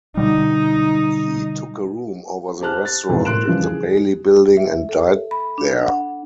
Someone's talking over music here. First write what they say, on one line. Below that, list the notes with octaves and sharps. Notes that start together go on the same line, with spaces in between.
He took a room over the restaurant in the Bailey building and died there.
B2 D3 G3 D#4
G4 C5 A5 F6 F#6
A6
F2 G#2 B2 E3 F3
A2 A#4 C6 F#6 D7 E7
C#3 E3 F3 G3
G#4
E5
A4
B5
D4
F#5